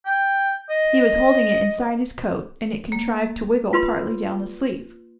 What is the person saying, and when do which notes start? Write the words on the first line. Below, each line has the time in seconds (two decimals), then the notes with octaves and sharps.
He was holding it inside his coat, and it contrived to wiggle partly down the sleeve.
0.06 G5
0.70 D#5
2.92 A#3
3.73 F4 B4 C6